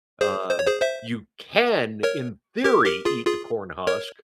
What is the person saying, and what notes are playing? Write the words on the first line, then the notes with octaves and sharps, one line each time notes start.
uh, you can, in theory, eat the corn husk,
G#4 C5
C5
C#5
G#4 C5
C5 E5
A#4 C#5
G4 A#4
G4 A#4
F4 G#4
F4 G#4
A#4 C#5